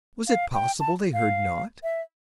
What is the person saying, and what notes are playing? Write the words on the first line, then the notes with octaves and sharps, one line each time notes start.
Was it possible they heard not?
F5
G5
A5
F5
E5